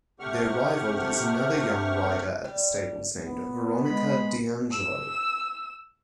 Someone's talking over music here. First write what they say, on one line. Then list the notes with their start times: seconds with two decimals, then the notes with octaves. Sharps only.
Their rival is another young rider at the stables named Veronica DiAngelo.
0.20 C3 A3 G4 F#5 C#6 F6
2.44 G3
3.24 B3
3.86 G#3 B5
4.71 E6